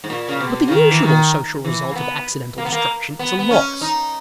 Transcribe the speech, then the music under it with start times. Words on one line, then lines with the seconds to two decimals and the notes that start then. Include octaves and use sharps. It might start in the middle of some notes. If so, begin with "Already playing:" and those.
But the usual social result of accidental destruction is a loss.
0.04 G#2
0.10 A#2
0.29 C#3
0.40 B2
0.68 C#3
0.71 D#3
0.91 E3
1.03 D#3
1.65 E3
1.91 A#3
1.95 B3
2.58 A#3
2.65 B3
2.72 A#3
3.19 B3
3.39 B3
3.51 C#4
3.81 D#4